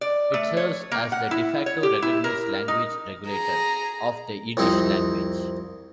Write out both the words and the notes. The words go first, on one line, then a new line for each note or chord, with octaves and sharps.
It serves as the "de facto" recognized language regulator of the Yiddish language.
D5
A3
C#5
A#3
F#5
E4
C#5
G4
E4
A#4
D#4
G#4 A#5
C2 F2 C4 D#4